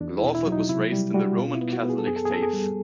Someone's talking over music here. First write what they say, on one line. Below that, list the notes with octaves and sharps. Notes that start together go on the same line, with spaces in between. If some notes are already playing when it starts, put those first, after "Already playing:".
Lawford was raised in the Roman Catholic faith.
E2 D4
E4
B2
E4
F#3
D#4
C3 E4
G3
G3 F#4
B2 F4
E4
B3
F#4
B3
G#4
A4
F#2 G#4
A4
G#4
B3 A4
G#4
G3